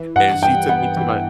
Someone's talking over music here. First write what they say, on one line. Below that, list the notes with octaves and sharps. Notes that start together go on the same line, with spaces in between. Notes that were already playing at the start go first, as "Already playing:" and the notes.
and she took me to my
Already playing: E3
G2 F#5
G2 G5
B3 F#5
E3